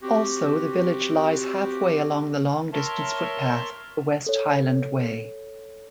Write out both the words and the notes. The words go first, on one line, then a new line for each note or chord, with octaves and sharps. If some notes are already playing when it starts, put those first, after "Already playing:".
Also the village lies halfway along the long distance footpath, the West Highland Way.
C4 F#4 G4
A#4 C#5 E5 A5 C6
A4 C#5